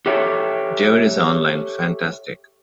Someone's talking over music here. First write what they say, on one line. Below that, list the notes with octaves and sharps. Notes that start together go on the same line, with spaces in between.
Devon is online, fantastic.
G4 A4 C#5 E5 G5